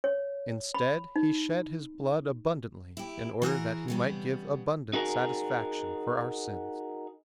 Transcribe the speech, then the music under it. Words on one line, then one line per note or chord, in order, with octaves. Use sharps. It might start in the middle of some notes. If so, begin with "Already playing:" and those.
Instead, He shed His blood abundantly in order that He might give abundant satisfaction for our sins.
C#5
B5
D#4
E4 G4
E3 F#4 G#4 A#4
C#3 G3 B3
D#4 F#4 G#4 A#4